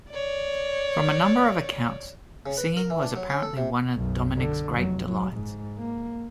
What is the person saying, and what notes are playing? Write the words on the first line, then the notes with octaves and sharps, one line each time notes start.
From a number of accounts, singing was apparently one of Dominic's great delights.
C#5 D5
C#3
B4
A#4
E3
D4
F#3
C#4
A4
C3
B1 F#2
D3
F1 F#3
F#3
G#2
A#3